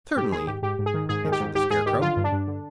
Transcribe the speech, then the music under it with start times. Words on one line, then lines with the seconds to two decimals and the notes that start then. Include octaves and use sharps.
"Certainly," answered the Scarecrow.
0.16 G#2 G4
0.32 D#3 G#4
0.47 G#2 G4
0.62 G#2 G4
0.79 G#2
0.86 G#4
0.94 D#3
1.09 G#2 G#4
1.25 D#3
1.32 G4
1.40 G#2
1.55 G#2 G4
1.70 G#2 G#4
1.86 D#3 G4
2.01 D3 F4
2.17 G2
2.24 D4
2.32 G2
2.47 D3